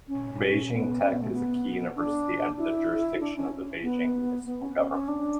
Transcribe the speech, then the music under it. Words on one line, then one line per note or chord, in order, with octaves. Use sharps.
Beijing Tech is a key university under the jurisdiction of the Beijing Municipal Government.
C#4
B3
C#4
B3
A3
B3
D4
E4
D4
C#4
B3
B3
C#4
C#4
C#4
D4